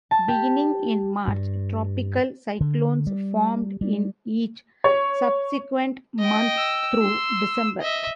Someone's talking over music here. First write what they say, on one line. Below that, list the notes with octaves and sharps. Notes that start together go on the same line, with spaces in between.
Beginning in March, tropical cyclones formed in each subsequent month through December.
A5
G4
G2
D3
G3
G3
C#5
D#5 G5
E6
C6
D#5 E5